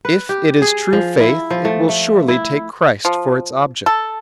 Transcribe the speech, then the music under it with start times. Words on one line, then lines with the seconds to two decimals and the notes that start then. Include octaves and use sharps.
If it is true faith it will surely take Christ for its object.
0.05 B4
0.29 G4
0.62 G#4
0.93 F3
1.20 E4
1.50 F3
1.65 A3
1.89 A3
2.28 E4
3.05 F3
3.86 A4